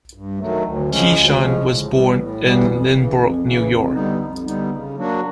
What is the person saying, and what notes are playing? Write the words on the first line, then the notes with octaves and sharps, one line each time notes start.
Keeshan was born in Lynbrook, New York.
G2
D#3 F#3 A3
D2
C#3 F3 G#3 C#4
D2
C#3 F3 G#3 C#4
A2
E3 G3 B3
A2
E3 G3 B3
F2
C#3 E3
F2
C#3 E3
F2
D3 G3 B3 D#4
F2
D3 G3 B3 D#4
C#3
F#3 A#3 D4 F#4